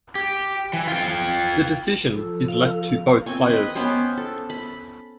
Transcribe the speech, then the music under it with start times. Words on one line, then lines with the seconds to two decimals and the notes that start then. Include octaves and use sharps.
The decision is left to both players.
0.15 G4
0.73 E3
0.87 F4 G5
2.13 F3 A4
2.48 F5
3.26 C4 G#5 C#6
3.48 B4 D#5
3.75 B3 C#4 C5 G5
4.17 A4
4.50 B5